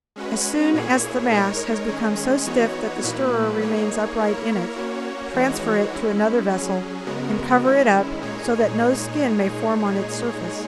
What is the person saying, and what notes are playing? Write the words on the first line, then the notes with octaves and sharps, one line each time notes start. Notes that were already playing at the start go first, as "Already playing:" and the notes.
As soon as the mass has become so stiff that the stirrer remains upright in it, transfer it to another vessel and cover it up so that no skin may form on its surface.
G#3 C#4 F#4 B4
A#2 A#3 E4 G#4 C#5
G#3 D#4 A#4 C#5
D#3 G#3 C#4 G#4
E3 B3 D#4 F#4 C#5
A#2 F#3 A#3 E4 B4
A#3 D#4 G#4 C#5
A#3 E4 A#4 C#5
A#3 C#4 F#4 C#5
E3 G#3 D#4 F#4 C#5
G#3 C#4 E4
F#3 C#4 G#4
C#3 G#3 B3 F#4 A#4
D#3 G#3 C#4 E4
A#2 G#3 D#4 G#4 C#5